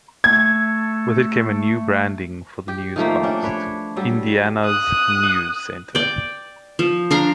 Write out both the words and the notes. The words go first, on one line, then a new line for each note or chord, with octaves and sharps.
With it came a new branding for the newscasts, "Indiana's NewsCenter".
A3 G#6
G4
D#3 F3 A3 A#3
C#4 D4
D4 B4 C#5
F#3 G3 A4
D#6 F#6
D5 G5
F3
D4 F5 A#5